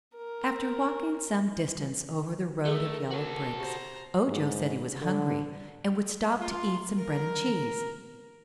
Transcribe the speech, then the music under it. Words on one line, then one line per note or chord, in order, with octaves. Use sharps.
After walking some distance over the road of yellow bricks Ojo said he was hungry and would stop to eat some bread and cheese.
A#4
A3 G#4 A#4
F#4 A4
G4 C5 A#5
G#2
D3
F4
A#4